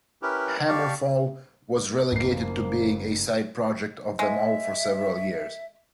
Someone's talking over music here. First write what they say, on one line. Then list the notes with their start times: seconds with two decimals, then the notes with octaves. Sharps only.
HammerFall was relegated to being a side project of them all for several years.
0.22 C#4 E4 G4 A#4 B4
0.68 G4 D5 F5 A5 C#6
2.12 F#1 F3 A#3 C7
4.19 G#3 E5